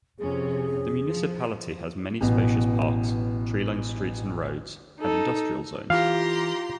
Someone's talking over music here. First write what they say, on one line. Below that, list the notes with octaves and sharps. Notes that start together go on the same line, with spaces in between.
The municipality has many spacious parks, tree-lined streets and roads, and industrial zones.
F2 C3 C#4 G#4
F3
A1 B2
D#4 A4
E3 F4 G4 F5 A#5 C6